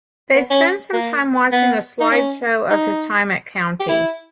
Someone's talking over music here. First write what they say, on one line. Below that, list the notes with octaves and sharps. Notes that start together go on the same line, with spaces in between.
They spend some time watching a slideshow of his time at County.
B3
C#4
A#3
B3
D#4
C#4
D#4
G4
E4